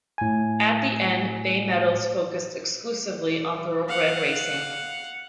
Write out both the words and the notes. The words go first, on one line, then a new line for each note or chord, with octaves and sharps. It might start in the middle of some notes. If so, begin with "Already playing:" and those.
At the end, Bay Meadows focused exclusively on thoroughbred racing.
A2 G#5
F5 F#5